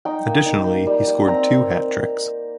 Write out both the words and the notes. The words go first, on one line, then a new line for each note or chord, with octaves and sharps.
Additionally, he scored two hat-tricks.
D#4 G5
A#3
D#4
A#3
G3
G3
C4 A#5